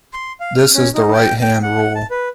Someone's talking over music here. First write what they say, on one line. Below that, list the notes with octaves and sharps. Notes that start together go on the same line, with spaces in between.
This is the right-hand rule.
C6
F5
F6
C#4
D#4
G5
G5
F#5
A5
B4